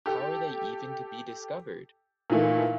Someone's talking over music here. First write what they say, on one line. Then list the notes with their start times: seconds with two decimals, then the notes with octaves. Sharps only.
How are they even to be discovered?
0.06 G4 A4
2.30 A#2 D#3 E3 A3 A#3